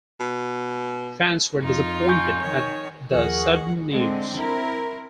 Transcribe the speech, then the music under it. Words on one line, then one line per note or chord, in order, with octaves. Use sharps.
Fans were disappointed at the sudden news.
B2
F2 D#4 F4
G#5 C#6 G6
D#3 C#5
D#2 F3 G#4 A#4 D#5 F#5 C#6
D3 G#3 C4
C4 E4 A#4